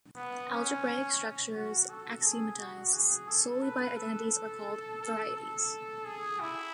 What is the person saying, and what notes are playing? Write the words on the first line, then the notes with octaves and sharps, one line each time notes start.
Algebraic structures axiomatized solely by identities are called varieties.
B3
C#4
F#4
A4
G#4
F#4
G#4
A4
B4
A4
A4
A4
G#4
E4